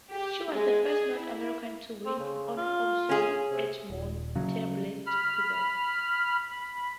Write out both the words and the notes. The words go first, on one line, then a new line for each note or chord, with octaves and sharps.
She was the first North American to win on home soil at Mont-Tremblant, Quebec.
G4
G#3
G#4
E4
C4
C#3
F4
C#4 G#4
C3
D#1
C#3 F#3
B5 F6
B5